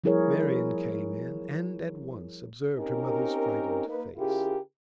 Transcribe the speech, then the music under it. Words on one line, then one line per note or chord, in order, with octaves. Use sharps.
Marian came in, and at once observed her mother's frightened face.
F3 G3 E4 G#4 A#4 C#5
C4 C#4 D#4 G4 A#4
A#3 D#4 B4
C#3 E4 F4 G4 G#4 A#4